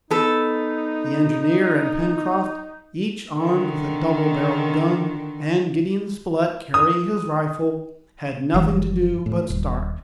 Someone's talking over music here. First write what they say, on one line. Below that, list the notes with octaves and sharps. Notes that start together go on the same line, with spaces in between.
The engineer and Pencroft, each armed with a double-barreled gun, and Gideon Spilett carrying his rifle, had nothing to do but start.
B3 D#4 A4
D3 D#3
D#6
F#1 E3 F#3
A2
D#1